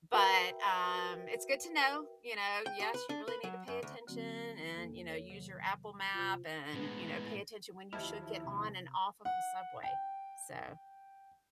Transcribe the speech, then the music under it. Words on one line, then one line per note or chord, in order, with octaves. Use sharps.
but, um, it's good to know, you know, yes, you really need to pay attention and, you know, you use your Apple map and, you know, pay attention when you should get on and off of the subway, so
F#4 A#4 B4 E5 G5
G5
G4
B4
D4
B4
F#3
F#2
D2
D3 F#3 A#3 C4 F#4
E2 A#3 A4
A4 C#5
C3 D#3 F#3
C3 F4
A2 E3 G#3 B3
D#2 F3 E4 G4 D#5 E5 A5 F6
C3
F#5
G5